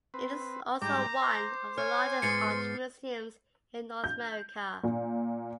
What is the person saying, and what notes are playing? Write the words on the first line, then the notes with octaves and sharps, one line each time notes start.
It is also one of the largest art museums in North America.
C4 B4
G#2 G3 G5 A#5 D6 G6
C5
C#5 G#5 F6
G#2 G#3 B3 A6 C7 C#7
G6
A#2